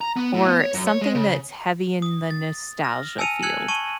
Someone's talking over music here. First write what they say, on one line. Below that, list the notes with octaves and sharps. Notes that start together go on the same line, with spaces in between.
or something that's heavy in the nostalgia field.
A#5
B3
A2
B3
C#5
F#2
C#5
G#3
C#3
D#6
A6
F6 A#6
G#5 A5 E6 C#7 D#7 F7
E6 F#6 G#6 C#7 F#7
A5 C#6 D#7 F#7